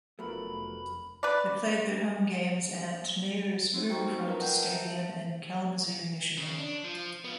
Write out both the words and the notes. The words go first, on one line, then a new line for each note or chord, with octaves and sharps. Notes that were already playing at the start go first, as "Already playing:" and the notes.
They played their home games at Mayor's Riverfront Stadium in Kalamazoo, Michigan.
F1 F#3 A3 B3 F4 A#4 B5
B4 D5
A#3 C4 D#4 F#4 C5
G5 A#5 C#6
F4 A#4 B4 D#5 A#5
F#5 G5 A5 G6
E5 A5
C#3
D4
F3
B3 F4